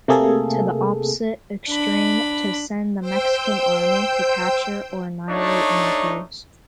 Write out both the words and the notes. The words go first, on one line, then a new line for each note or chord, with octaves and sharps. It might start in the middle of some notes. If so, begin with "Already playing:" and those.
To the opposite extreme to send the Mexican army to capture or annihilate Marcos.
C3 A3 A#3 G#4 A4
D4 B5
C5 G5 E6 G6
A3 D4 D#4 C#5